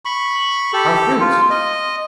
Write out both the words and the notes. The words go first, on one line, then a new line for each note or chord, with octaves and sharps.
Our fruits.
B5 C#6
G4 A4
F4
D#5